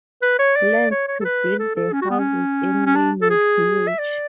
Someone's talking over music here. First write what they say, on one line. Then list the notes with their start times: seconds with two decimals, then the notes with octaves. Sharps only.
Lands, to build the houses in Lynwood Village.
0.22 B4
0.39 C#5
0.56 D5
0.91 C#5
1.08 C#5
1.20 A4
1.24 B4
1.59 A4
1.76 A4
1.93 C#4
2.02 F#4
2.10 B3
2.19 C#4
2.86 C#4
2.95 D4
3.21 A4
3.30 G#4
3.88 E5
3.98 D5